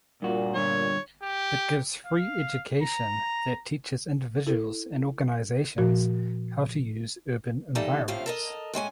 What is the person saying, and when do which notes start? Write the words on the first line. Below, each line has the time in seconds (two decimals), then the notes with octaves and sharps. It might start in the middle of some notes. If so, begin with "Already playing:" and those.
It gives free education that teaches individuals and organizations how to use urban environments.
0.22 G2 A#2 F#4
0.56 G2 D3 C#5
1.23 G4
2.06 F5
2.82 A#5
4.47 E4 A4
5.78 A#2 F3 F#4
7.75 E3 G3 A#3 D#4 A4
8.08 A2 C3 F3 E4 F5
8.26 A4 A#4 D#5
8.73 A2 G#3 C#4 G#5